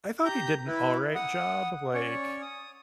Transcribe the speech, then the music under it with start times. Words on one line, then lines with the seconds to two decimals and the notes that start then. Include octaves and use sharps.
I thought he did an all right job. Like,
0.25 G4 A#5 G6
0.68 E4 B4
1.15 F#5 D#6
1.93 C#4 C#5 D5
2.41 D#6